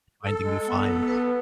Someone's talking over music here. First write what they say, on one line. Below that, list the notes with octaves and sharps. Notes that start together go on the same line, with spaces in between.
finding new finds.
A4
G#3
B3
B4